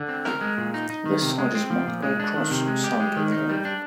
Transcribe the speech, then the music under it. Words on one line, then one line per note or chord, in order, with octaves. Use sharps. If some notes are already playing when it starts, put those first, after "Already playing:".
The site is marked by a cross sunk in the road.
Already playing: D3
C4
A#4
G#3
A#2
D#4
D#4
D#3
C3
G#3
C4
F3
A#2
G#3
D4
D#3
C3
G#3
G4
G#3
D#3
D#4
G3
D4